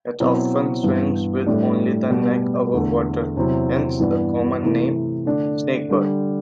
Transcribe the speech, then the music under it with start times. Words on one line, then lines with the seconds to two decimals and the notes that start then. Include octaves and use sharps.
It often swims with only the neck above water, hence the common name "snakebird".
0.20 B2 F#3 C4 E4
0.83 G2 E3 B3
1.47 A2 G3 D4
2.10 B2 G3 B3
2.73 E2 D3 A3
3.36 E2 C3 F#3 C4 E4
4.00 G2 E3 B3 D4
4.63 C3 E3 A3 E4
5.26 D3 A3 D4
5.89 D3 G3 D4